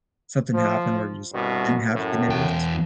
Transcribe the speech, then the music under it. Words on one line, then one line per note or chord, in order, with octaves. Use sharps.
something happen where you just didn't have good neighbors?
F3
C2 G2 B2
F#2 A2
E2 G5